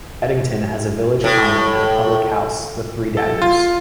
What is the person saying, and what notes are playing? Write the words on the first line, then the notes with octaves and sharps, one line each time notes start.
Edington has a village common and a public house, the "Three Daggers".
A2
A4
F4